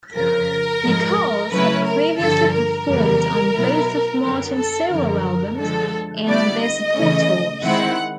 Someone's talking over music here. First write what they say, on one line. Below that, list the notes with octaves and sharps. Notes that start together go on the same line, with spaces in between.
Nicholls had previously performed on both of Martin's solo albums and their support tours.
F2 C#3 F3 A#4
G#2 F3 G#3
C#3 F#3 A3 C#4 E4 B4
A#4
G2 D3 F3 A4
A#4
F2 C#3 E3 G3 B3
B2 F#3 B3 E4
F#2 D3 F#3 B3 A#4
A4
F#2 D3 F3 A#4
D3 F3 G#3 A4
D3 G3 B3 E4 D5
D#5
C#3 E3 A3 C#4
D#3 G#3 C4 E4 F#5